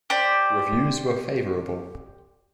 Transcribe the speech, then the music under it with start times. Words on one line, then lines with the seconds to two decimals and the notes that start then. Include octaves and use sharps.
Reviews were favourable.
0.10 G4 C5 D5